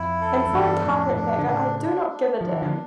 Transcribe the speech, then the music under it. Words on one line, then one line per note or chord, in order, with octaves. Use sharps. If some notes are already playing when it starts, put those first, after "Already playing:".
And for a Carpetbagger I do not give a damn.
Already playing: F2 E4
A4
F2
E2 G2 G3
F2 A2 D4
A#2
F2 A2 D4
D3
A2 C#3 D4
D4
D4
F3 D4
E3
D3 F3